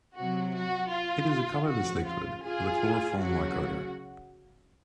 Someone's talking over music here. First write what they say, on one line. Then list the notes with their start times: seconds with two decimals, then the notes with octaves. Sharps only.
It is a colourless liquid with a chloroform-like odour.
0.17 C3 F#3 F#4
0.55 F#4
0.93 F4
1.69 C#3 F3 F#4
2.08 F4
2.46 F4 G#4
3.23 C#3 F#3 F#4